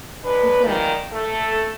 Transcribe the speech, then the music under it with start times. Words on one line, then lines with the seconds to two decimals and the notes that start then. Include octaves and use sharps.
We fled.
0.23 F#3 G#3 D4 B4
0.63 A#2 D#3
1.11 A3 A4